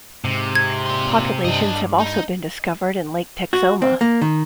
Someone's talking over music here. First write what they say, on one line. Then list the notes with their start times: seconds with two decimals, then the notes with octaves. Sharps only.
Populations have also been discovered in Lake Texoma.
0.25 G#2 C3
0.55 G#6
0.86 A#2 C6
1.45 G2 D4 D#5
1.99 D#4
3.53 F#4
3.82 C4
4.01 A#3
4.22 D#3